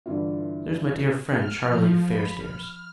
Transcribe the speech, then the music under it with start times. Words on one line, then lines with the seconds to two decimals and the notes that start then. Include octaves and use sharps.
There's my dear friend Charlie Fairstairs.
0.06 G2 D3 E3 E4 F4
1.36 F6
1.68 F3
2.07 B5
2.38 F6